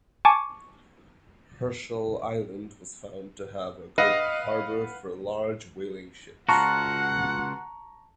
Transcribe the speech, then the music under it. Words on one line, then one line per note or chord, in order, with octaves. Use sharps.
Herschel Island was found to have a good harbour for large whaling ships.
G#5 A5 C#6 D6
B4 D#5 F5 F#5
C#2 F4 F#4 F#5 A5 A#5 C#6